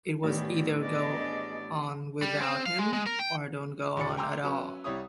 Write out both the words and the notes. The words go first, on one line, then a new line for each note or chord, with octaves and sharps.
It was either go on without him, or don't go on at all.
A1 D#3 B3 G4 G#4 D5
B3 D4 G#4 D5 D#5
G3
C4
F5
G#3
G#3
A#4
G5
D#2 A#2 D5 C#7
G5 G#5 A#5 C6 D6 E6
F#3 C#4 B4
C2 G3 E4 C#5 D#6